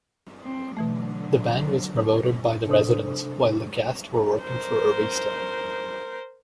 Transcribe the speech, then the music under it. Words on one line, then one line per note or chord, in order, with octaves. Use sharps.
The band was promoted by the residents while the cast were working for Arista.
C4
B2 D3 E3 F#3 A3
C3 D4 A4 C5 D#6
A#4 C5